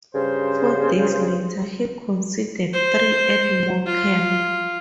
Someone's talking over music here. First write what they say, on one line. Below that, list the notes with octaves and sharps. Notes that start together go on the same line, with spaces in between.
Four days later, he conceded three at Morecambe.
G2 C#3 C5
C5
F4